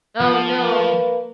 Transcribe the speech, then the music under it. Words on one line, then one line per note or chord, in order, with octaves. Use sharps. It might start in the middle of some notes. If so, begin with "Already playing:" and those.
Oh, no.
F3
A#3 B4